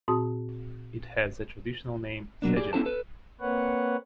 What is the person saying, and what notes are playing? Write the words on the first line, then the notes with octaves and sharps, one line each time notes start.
It has the traditional name Segin.
A#2 C4 F#4 A5 D#6
B2 F#3 A#3 D4
G4 G#4 D5
B3 C#4 E4 A4 C5 A5
A4 B4
A#3 C4 B4 C#5 F#5